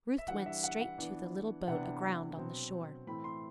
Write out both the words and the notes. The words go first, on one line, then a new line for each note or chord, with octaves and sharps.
Ruth went straight to the little boat aground on the shore.
E5
E3 G3 D4 F#5
E5
F#5
F#5
E3 B3 D4
C3 E3 B3 D4 F#5
B2 F#3 C4
A2 E3 A3 C4 B5
C6